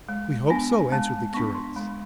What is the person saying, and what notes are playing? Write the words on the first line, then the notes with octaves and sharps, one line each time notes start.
"We hope so," answered the curates.
G#3
B3 D4 G#5
G#3 A5
B3 D4 C#6
C6
G#3 B5